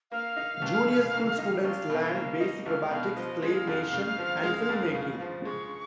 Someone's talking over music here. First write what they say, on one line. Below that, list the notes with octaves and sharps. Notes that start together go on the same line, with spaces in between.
Junior school students learn basic robotics, clay-mation and film making.
A#3 F5
D#4
C#2
B2
A#3
D#4
C#2 F5
B2
F5
A#3
D#4 D#5
C#2 F5
B2 F5
F3 D#5
G#3
F5
F2
C#3
F3
G#3
F2
C#3
F3
G#3 C#6